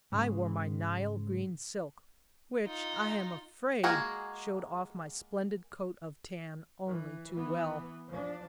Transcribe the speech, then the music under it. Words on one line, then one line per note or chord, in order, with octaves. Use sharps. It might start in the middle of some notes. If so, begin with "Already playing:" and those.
I wore my nile-green silk, which I am afraid showed off my splendid coat of tan only too well.
G#2 C#3 G#3
D#4 F4
G#3 A#3 F#4 G#4 A#4
E3
E3 B3
F3 D4